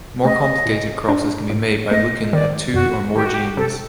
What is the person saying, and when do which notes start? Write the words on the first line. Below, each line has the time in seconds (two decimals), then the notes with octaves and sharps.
More complicated crosses can be made by looking at two or more genes.
0.25 A3 D#5
0.66 A2
1.09 D4
1.50 A2
1.91 A3 D#5
2.33 D#3 D5
2.74 F#2 F#4
3.15 D#3 G4
3.26 F#4
3.34 G4
3.57 C3 A4